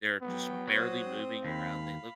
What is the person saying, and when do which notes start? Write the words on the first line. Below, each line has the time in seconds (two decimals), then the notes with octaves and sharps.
They're just barely moving around, they look
0.22 F#3 B3 G5
0.68 F#3 C5 D#6
1.06 C4
1.45 D#2 F5 B5